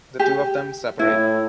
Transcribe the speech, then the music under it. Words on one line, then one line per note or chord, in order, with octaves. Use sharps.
The two of them separate.
G4
A2 E4